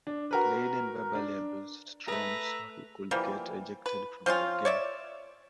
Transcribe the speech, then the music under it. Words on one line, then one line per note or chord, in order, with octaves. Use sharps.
Layden verbally abused Strom so he could get ejected from the game.
D4
F#4 A#4 B4
D4
A3 G#4 B4 E5 A#5
E3 F3 G3 A#3
B4
F3 C4 C#4 F4
C#5 D5 E5